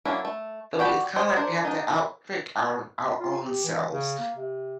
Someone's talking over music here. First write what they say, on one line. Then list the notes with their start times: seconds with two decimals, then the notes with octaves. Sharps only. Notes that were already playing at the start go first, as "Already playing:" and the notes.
But we it's kinda like we have to out trick our our own selves
0.05 F#3 A#3 C#4 D4 E4
0.25 A3
0.79 F#4 D5 G5 A5 B5
1.16 G#3 C5 C#5 D#5
1.37 D4 A#4 C5
1.65 D4 D#4
3.20 F4
3.45 G4
3.64 E3
3.91 C#3
4.19 A#3
4.36 C3